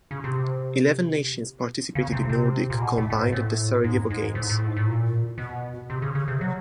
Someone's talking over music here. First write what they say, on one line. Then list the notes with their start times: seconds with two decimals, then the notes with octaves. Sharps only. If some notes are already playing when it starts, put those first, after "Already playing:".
Eleven nations participated in nordic combined at the Sarajevo Games.
0.11 C#3
0.24 C3
1.95 C#3
2.12 C3
2.29 C3
2.70 A#2
2.81 B2
2.97 A2
3.10 A2
3.15 G#2
3.32 A2
3.84 G#2
4.10 G#2
4.35 A2
4.42 G#2
4.50 A2
4.67 G#2
4.77 A2
4.87 A#2
5.38 B2
5.90 C3
6.02 C#3
6.15 C#3
6.28 C3
6.41 F#3